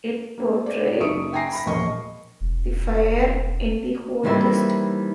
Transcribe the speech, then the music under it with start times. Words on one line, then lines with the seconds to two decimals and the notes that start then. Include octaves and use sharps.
It portrays the fire-in-the-hole test.
0.38 A#3 C4
0.66 D5
1.00 F#1 D#4 E5 C#6 D#6 D7
1.32 E5 G5 G#5 A#5 A#6 C7
1.52 B5 A#6
1.66 E1 A#1 A#3 D#5 C#6
2.41 E1
4.23 D#3 E3 G3 A#3 C4 E4